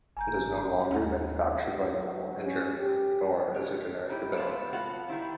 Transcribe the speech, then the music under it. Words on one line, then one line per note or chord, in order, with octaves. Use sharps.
It is no longer manufactured by Knoll in Germany, nor is a generic available.
F#1 G#5 A#5 G6
D#2 C#4 D#4
F#3
C#4
G4
C#5
D#4 E4 G4
G#3 A3 B3 F4 B4 E5
B3 F4 F#4 A4 F5 F#5
D#3 G3 E4 C5